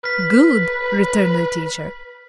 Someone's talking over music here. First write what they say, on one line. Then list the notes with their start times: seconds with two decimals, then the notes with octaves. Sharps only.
"Good!" returned the teacher.
0.04 B4 F6 B6